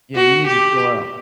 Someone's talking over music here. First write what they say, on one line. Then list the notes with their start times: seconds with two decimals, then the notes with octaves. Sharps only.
Yeah, you need to chill out.
0.15 F#4
0.47 G4